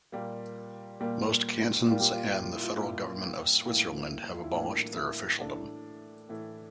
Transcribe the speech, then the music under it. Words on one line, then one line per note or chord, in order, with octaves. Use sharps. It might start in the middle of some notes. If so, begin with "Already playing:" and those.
Most cantons and the federal government of Switzerland have abolished their officialdom.
A#2 G3 A#3
A#2 G3 A#3
A#2 G3 A#3 F4
G4
F4
G4
F4
E4
F4
A#2 G3 A#3 E4
A2 E3 G3 A#3
F4
E4
A2 E3 G3 A#3 D4
E4
A2 E3 A3 D4
A2 E3 A3